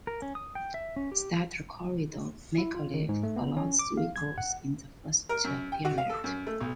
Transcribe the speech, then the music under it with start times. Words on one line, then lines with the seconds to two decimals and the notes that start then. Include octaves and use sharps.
Starter Corrado Micalef allowed three goals in the first period.
0.07 A#4
0.22 C#4
0.35 D#6
0.55 G5
0.74 E5
0.96 C#4
1.12 G4
2.58 E4
2.75 F4
2.94 D#3
3.09 G#2
3.23 A3
3.36 B3
3.57 C#4
3.79 D6
3.97 F5
4.16 G#6
4.38 F#5
5.29 A#4
5.44 F#2
5.72 G5
5.85 F#4
5.98 F5
6.09 A4
6.24 F#2
6.47 A3
6.60 B1